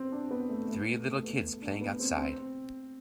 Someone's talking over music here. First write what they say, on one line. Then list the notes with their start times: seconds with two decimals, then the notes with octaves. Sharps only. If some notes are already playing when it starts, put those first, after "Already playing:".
Three little kids playing outside.
Already playing: B3 C4
0.12 D4
0.31 B3
0.49 A3
0.68 A3
0.87 B3
1.06 A3
1.24 B3
1.44 A3
1.62 D4
1.81 B3
1.99 C4
2.18 C4